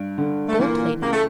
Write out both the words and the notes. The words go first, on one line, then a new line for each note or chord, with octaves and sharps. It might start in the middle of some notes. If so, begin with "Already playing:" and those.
Gold Plated.
Already playing: G2
D3
A3
A#2 E3 A#3
C#2 A#3
A3